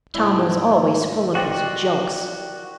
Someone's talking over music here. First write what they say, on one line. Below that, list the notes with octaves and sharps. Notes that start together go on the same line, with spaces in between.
Tom was always full of his jokes.
C2 G#2 E4 A5
F#4 G4 A#4 D5 D#5 C6